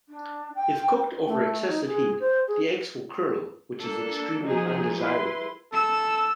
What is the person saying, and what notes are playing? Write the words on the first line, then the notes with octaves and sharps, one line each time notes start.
If cooked over excessive heat, the eggs will curdle, which is extremely undesirable.
D4
G5
A3
D#4
G#4
C5
G#4
A#3 D4 A4
F3 F#3 D#4 G#4
E4 B4 C6
A4 E6